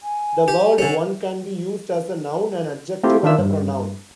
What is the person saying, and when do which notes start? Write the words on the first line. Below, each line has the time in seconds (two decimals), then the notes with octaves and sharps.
The word one can be used as a noun, an adjective and a pronoun.
0.03 G#5
0.48 G4
0.78 D3 C#4
3.03 A3 C4 E4 F4 G4
3.23 D#3 D4 F4 E5 E6
3.39 G2